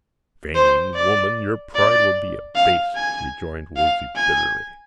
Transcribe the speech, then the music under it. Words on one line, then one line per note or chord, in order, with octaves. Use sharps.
"Vain woman, your pride will be abased," rejoined Wolsey bitterly.
C5
D5
D5
F5
G#5
F5
G#5